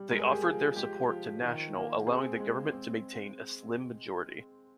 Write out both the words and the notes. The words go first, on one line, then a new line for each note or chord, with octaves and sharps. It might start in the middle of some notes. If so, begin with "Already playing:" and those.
They offered their support to National, allowing the government to maintain a slim majority.
Already playing: G3
G#3 A#4
G#4
G4
G#4
F3
G#3 G4
F3
D#3
A#3
C4 G#4
G#3
C4